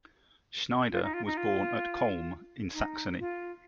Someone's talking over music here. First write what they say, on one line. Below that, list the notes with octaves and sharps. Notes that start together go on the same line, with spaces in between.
Schneider was born at Collm in Saxony.
F4
D#4
F4
D#4
F4
D#4
F4